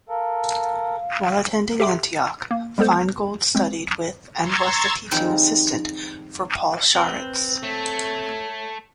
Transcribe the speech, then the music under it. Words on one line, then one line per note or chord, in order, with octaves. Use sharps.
While attending Antioch, Feingold studied with and was the Teaching Assistant for Paul Sharits.
A4 A#4 F5
G4 A4 E5 G5 C6 D6
A#3
G3 G#3 B3 A4 C5
G#3 C4
A#5 C6 C#6 E6 G#6 A6
D#3 F3 G3 G#3 C4 D#4
C4 B4
A3 A4 C#5